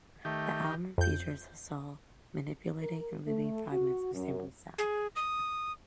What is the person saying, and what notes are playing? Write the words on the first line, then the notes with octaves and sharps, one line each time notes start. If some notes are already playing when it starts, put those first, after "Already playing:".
The album features Hassell manipulating and looping fragments of sampled sound.
D#3 A3 G4
F2 G6
A#4
A3
F#4
F#2
G#4
D#6